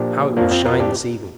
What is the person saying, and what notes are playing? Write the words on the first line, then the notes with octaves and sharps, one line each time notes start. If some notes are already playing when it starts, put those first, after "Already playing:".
"How it will shine this evening!"
Already playing: A#2 F3 D4 G4
F2 F3 A#3 D4
C4 F4
F4 A#4
D4 G4